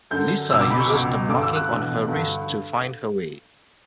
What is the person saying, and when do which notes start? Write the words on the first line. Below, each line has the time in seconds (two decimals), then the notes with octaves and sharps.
Lisa uses the marking on her wrist to find her way.
0.11 F#2 D3 G6
0.50 B2 E6
0.54 C#2
0.61 D6
0.70 B5
0.80 C#6
0.89 C#2 B2 D6
1.29 G2 D3 D6
1.42 E6
1.56 F#6
1.68 E2 B2
2.08 G2 D3